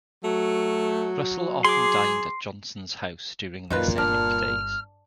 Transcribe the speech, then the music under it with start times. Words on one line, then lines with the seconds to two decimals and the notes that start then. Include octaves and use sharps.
Russell often dined at Johnson's house during their Senate days.
0.24 F#3 A3
1.65 G#4 C6 D6
3.70 F#2 A#2 D#3 D#4 F4 B4
3.98 G1 D4 F6